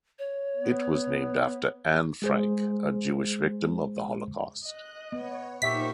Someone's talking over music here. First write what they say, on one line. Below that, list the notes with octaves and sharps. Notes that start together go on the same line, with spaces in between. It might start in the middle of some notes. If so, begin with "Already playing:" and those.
It was named after Anne Frank, a Jewish victim of the Holocaust.
C#5
B3
G#3 G#4 C5
D#5 F#6
B3 C#5
A#2 D#4 G4 A#4 C5 E5 C#6 B6